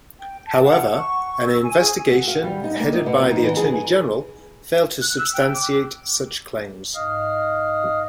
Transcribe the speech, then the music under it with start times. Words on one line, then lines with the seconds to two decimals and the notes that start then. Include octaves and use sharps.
However, an investigation headed by the Attorney General failed to substantiate such claims.
0.19 G5
0.46 A5
0.63 F#5
0.98 C#6
1.44 E6
1.64 G#5
1.78 G#4
2.10 F#4
2.28 F5
2.44 G3
2.64 D#4
2.80 A#3
2.93 D#5
3.06 B2
3.18 F2
3.31 D#4
3.43 E3
3.57 G#4
5.01 F#6
5.18 E6
5.33 G5
5.54 D6
6.94 G#2 D#5 F5 D#6 F6